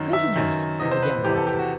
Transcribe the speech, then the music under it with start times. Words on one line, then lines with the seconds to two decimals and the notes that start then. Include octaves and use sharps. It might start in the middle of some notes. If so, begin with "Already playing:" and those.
"Prisoners!" said young Robin.
Already playing: F#2 D#3
0.13 E5
0.36 F#2 D#3
0.80 E2 C3 E3 D#5
0.91 C5
1.03 B4
1.24 E2 C3 E3 G4
1.36 A4
1.47 G4
1.59 F#4